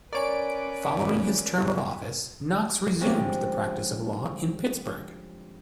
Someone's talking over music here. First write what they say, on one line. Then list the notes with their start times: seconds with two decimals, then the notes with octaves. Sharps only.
Following his term of office, Knox resumed the practice of law in Pittsburgh.
0.13 C#4 A#4 B4 C#5 D5 G#5 D7
3.00 D3 F3 G3 G#3 C4 C#4